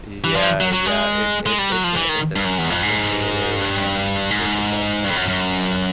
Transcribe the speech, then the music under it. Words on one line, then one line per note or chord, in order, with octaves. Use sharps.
Yeah, yeah, it it it's a it's a complicated and difficult thing, and,
E3
F3
F#3
F#3
G#3
G#3
G3
F#3
F3
E3
D#3
G2
F#2
E2
F2
G#2
G2
G#2
G2
F2
F#2
F#2